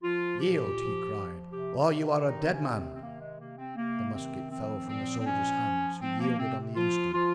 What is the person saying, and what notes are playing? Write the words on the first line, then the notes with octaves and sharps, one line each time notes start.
"Yield!" he cried, "or you are a dead man!" The musket fell from the soldier's hands, who yielded on the instant.
F3 F4
A#2 G4
F3
F3
C3 G4
D#3
C3 D#4
C4
C#4
D#3
C4
C4
C3 A#3
G#3
C3 A#3
C4
C3 A#3
D#3 C4
F3 C4
A#2 C4
C4
F3 C#4
F3
F3 C4
A#3
C3 C4
F3 F4
F3 F4